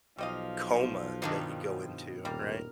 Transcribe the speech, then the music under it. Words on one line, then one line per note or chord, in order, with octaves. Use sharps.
coma that you go into, right?
B1 F3 G3 D#5 F5
G2 B2 D#3 A#3 D4 D#4
D#1 G3 A#3 A#4